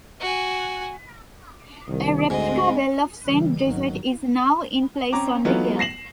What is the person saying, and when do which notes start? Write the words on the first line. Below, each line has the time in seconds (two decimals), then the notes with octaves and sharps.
A Replica well of Saint Bridget is now in place on the hill.
0.20 F#4 G#5
1.88 C2 D#3
2.30 D2 G#2 C4 D#5
3.26 C#3 E3 G3
3.62 G#1 D#3 F#3
5.13 C4 C#4 A#5 D6
5.45 E3 F#3 A3 B3 D#4 F4
5.79 A#6 C7 E7 F#7